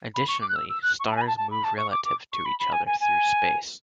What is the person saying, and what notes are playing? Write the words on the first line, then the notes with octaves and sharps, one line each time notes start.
Additionally, stars move relative to each other through space.
B5
C#6
D6
F#6
E6
E6
F#6
C#6
B5
A5
G#5
B5
A5
A5
B5
A5
C#6
D6
D6
C#6
B5
B5
G#5
G#5
G#5